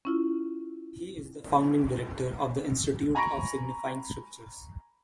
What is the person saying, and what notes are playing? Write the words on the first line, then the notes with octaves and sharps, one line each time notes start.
He is the founding director of the Institute for Signifying Scriptures.
C#4 E4 F4
G#5 A#5 B5 C#6 A#6 D7